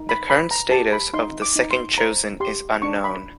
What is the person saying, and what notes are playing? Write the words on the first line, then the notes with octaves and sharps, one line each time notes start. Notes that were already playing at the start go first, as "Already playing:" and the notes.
The current status of the second Chosen is unknown.
Already playing: D#4
B5
B4 B5
A#5
G4 A5
B5
D#4 C6
D6
D#4
C6
C5 A#5
G4 C6
D4 C#6
B5